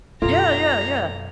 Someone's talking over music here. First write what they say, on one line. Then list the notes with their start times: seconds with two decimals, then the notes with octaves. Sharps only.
Yeah, yeah, yeah.
0.22 F#2 B2 F4 A4 A#5